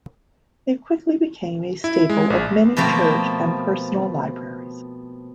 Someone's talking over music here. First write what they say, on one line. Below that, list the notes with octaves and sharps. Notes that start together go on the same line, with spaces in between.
It quickly became a staple of many Church and personal libraries.
E4
G#3
A#1
B2 F3 A3 A#3 C4